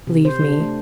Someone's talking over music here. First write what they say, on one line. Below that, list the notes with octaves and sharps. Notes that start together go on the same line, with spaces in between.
"Leave me."
C3
C5
D4
A3